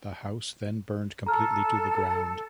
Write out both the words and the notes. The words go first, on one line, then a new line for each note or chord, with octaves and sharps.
The house then burned completely to the ground.
A4 A#5 F6